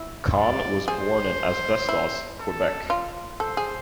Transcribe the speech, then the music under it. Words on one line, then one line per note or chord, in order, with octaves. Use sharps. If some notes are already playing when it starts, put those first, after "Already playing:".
Conn was born in Asbestos, Quebec.
Already playing: E4
D5
G#4 C5
E4
A4
F4
A4 C5
G#4